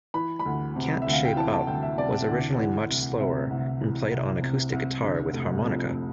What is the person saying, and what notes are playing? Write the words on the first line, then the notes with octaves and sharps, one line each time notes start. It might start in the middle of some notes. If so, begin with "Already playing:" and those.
"Can't Shape Up" was originally much slower and played on acoustic guitar with harmonica.
E3 B5
B5
D2
C3
E5
D2
F5
G5
E3 A5
A5
D2 G5
E5
C3 D5
D2
E3
C2
C3 E5
C2
E3
C2
C3
C2
D3
F1
F2